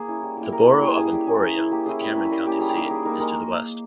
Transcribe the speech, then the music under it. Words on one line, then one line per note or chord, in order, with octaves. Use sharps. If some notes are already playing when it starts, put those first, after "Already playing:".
The borough of Emporium, the Cameron County seat, is to the west.
Already playing: A#3 G#4
C#4 E4
G3
A#3 E4
G3 A#4
A#3 E4
G3 G#4
C#4 E4 G#4
G3 G4
C#4 E4 G#4
A#3 G#4
C#4 E4
A#3 G4
C#4 E4 G#4
G3 B4
A#3 C#4
B4
G3 A#4
A#3 C#4 G4
G3 G#4
G4
A#3 D#4
A#4
G3 G#4
A#3 D#4 A#4
G#3 A#4